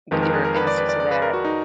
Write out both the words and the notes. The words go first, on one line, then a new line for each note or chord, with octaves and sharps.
with your answers to that.
F2 D#3 G#3 B4
A#4
G#4
A#4
B4
D5
B4
D5
D5
B4
A#4
F#4
D#4